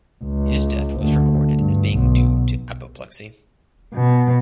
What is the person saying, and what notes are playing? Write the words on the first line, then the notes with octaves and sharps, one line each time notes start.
His death was recorded as being due to apoplexy.
C#2
D2
G2
B1
B2